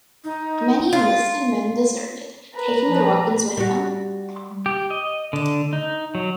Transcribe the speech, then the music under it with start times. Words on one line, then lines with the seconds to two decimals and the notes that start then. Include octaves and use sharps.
Many enlisted men deserted, taking their weapons with them.
0.24 D#4
0.93 F4
2.54 B4 A#5
2.87 F3
3.57 G3 F#4
4.66 G4
4.91 D#5
5.33 D3
5.73 D#4
6.15 F#3